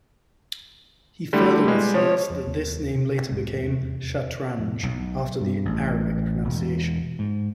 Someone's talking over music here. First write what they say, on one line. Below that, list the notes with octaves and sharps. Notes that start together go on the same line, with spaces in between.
He further asserts that this name later became "Shatranj" after the Arabic pronunciation.
D3 G3 A3 E4
G3 G#3
F3 C#5
F2
F1 D#2 B3
C3
E1 B1 G#2 G#3
E1 D#2 C3
F2 B2
B1
G2
A1
E1
G#2